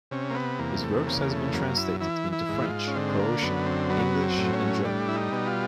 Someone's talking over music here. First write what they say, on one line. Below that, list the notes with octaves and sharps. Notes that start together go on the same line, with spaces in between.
His work has been translated into French, Croatian, English, and German.
C3 C#4
A#3
B3
E2 A#3
A3
C#3 A#3
A3
F#2 A#3
E4
E3 E4
E4
G#2
F4
C#4
D3 C4
A#3
F#2 B3
C4
F#3 B3
C4
A2
C#4
G3 D4
E4
D#4
B2
F4